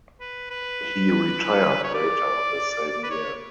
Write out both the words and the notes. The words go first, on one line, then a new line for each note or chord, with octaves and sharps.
He retired later the same year.
B4
B4
C#5
D5
B4
C#5